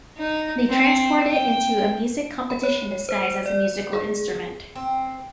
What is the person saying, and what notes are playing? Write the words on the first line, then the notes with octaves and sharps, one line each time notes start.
They transport it into a music competition disguised as a musical instrument.
D#4
C4
G5
B5
C#5
C5
D5
G#4
C4